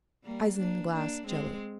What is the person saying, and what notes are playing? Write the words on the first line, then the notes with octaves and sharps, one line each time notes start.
Isinglass Jelly.
G3 A#3
A#3 D4
A#3 D4
G#3 C4